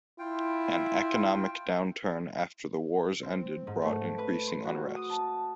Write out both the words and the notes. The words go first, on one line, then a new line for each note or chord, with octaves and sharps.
An economic downturn after the wars ended brought increasing unrest.
E4 F4 G5
C4
G#2
A3
B4
C6
F#4
D#6
A5